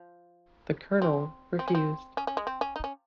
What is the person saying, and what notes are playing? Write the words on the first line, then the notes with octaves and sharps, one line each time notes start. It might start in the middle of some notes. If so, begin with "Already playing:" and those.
The colonel refused.
Already playing: F3
C4
C4
C#4
C4
C#4
C#4
G#3
C4
C#4
D#4
C#4